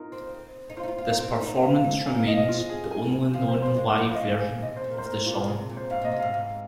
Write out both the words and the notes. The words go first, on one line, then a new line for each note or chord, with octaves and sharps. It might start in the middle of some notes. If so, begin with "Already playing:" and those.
This performance remains the only known live version of the song.
Already playing: D#4 F4 A#4
C4
C4
D#4
F4 C5
D#4
F4
F4 F5
D#4
C4
D#4
D#4
F4
D#4
C4
D#4 G#5
F5
A#3 D#5
D#5
F3
G#3 F4
G#4
G#5
F3 F5
C5
F3 C5
G#3
F3
D#5
D#3 F5
G#5
C3 D#5
C5
A#2
A#4
C5
G#2 A#4
A#2 F4
G#4
C3 G#4
A#2
C5
G#2 F5
A#2 D#5
C3
F5
G#2
G#2 F5